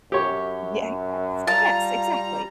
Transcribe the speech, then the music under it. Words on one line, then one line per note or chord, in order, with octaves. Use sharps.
Yeah, yes, yes, exactly,
F#2 G4 C#5
G3 F4 A5 A#5